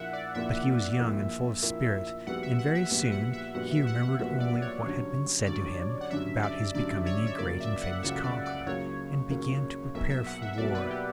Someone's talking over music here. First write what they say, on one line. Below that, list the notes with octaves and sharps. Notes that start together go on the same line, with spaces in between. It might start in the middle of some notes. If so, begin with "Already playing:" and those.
But he was young and full of spirit, and very soon he remembered only what had been said to him about his becoming a great and famous conqueror and began to prepare for war.
Already playing: A#1 A#2 A#3 E4 E5 F#5
D5
A#1 A#2 A#3 E4 E5
A#1 A#2 A#3 E4
A#1 A#2 A#3 E4
A#1 A#2 G3 B3 F#4 F#5
E5
F#5
E5
A#1 A#2 G3 B3 F#4 E5
F#5
E5
A#1 A#2 G3 B3 F#4 F#5
E5
F#5
F#5
A#1 A#2 G3 B3 F#4 E5
D5
C#5
G2 D3 F#3 C#4
G2 D3 F#3 C#4 D5
F#5
G2 D3 F#3 C#4 E5
D5
G2 D3 F#3 C#4 D5
C#5
E5
C#2 C#3 F#3 A#3 D5
E5
F#5
C#2 C#3 F#3 A#3 E5
D5
D5
C#2 C#3 F#3 A#3 C#5
C#2 C#3 F#3 A#3
B1 B2 F#3 A#3 E5
E5
F#5
E5
E5
B1 B2 F#3 A#3 D5
B4
G4